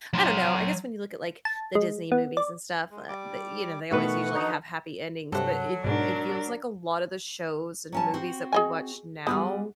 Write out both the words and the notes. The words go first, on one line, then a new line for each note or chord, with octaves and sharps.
I don't know, I guess when you look at, like, the Disney movies and stuff, uh, the you know, they always usually have happy endings, but it it feels like a lotta the shows and movies that we watch now,
F#3 C6
A5
G#3
B3
D5
G#3
G3 D6
B2 D#3 A3 B3 F#4 B4 F#5 C#6
D3 D#4
G2 C3 F#3 A4 F#5
G#2 B2 D4 A#4
F#3 C#4 A5
C4 F#4
G#4 D#5 G#5
G3 B3 F#4 G#4